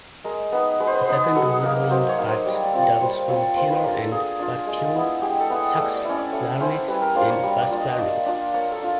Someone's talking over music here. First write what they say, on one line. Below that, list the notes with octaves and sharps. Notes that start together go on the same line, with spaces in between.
The second woodwind part doubles on tenor and baritone sax, clarinet, and bass clarinet.
G#3 A#4
B3 D#4 B4
G#3 B4
C5
B4
C5
B3 D#4 B4
F#3 A4
G#4
A#3 D#4 A#4
B4
F#3 C5
C#5
A#3 D#4
C5
G3 C#5
D5
C4 F4
C#5
G3 C5
C4 F4 C#5
A#3 C5
B4
D4 F4 A#4
A4
A#3 G#4
D4 F4
G#3
B3 E4
G#3 G4
A4
B3 E4
A3 D5
D5
C#4 E4
D5
A3 C#5
C#4 E4 C5
G3 B4
A#4
A#3 D4 F4 C5
C#5
G3
D5
A#3 D4 F4
D#5
A#3 D5
D4 F4 D5
A#3 C#5
A4
D4 F4